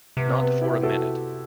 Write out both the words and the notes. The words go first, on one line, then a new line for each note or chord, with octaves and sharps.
Not for a minute.
C3 B3
C4
B3
E4 G4
F#4 A4